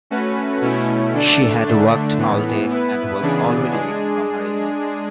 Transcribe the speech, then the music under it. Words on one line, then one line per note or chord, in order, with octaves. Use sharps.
She had walked all day and was already weak from her illness.
A3 C#4 F#4 B4
B2 A3 C#4 E4
D3 A3 D4 A4 D5
D3 A3 D4
A2 E3 B3
B3 E4 B4
C#3 E3 B3 D4 G#4
G#3 D4 G#4